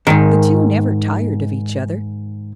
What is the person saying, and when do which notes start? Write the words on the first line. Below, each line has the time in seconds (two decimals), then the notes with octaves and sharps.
The two never tired of each other.
0.07 D#2 G#2 D#3